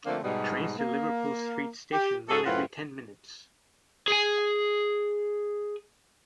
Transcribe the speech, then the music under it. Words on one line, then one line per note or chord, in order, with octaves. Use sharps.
Trains to Liverpool Street station run every ten minutes.
D3 F3 A3 A#3 C4 D4
G#2 B2 G3
A#3
G4
G#2 F#4 G#4 A4
F#2 A2 C4 F4 B4 F#5
G#4 G#5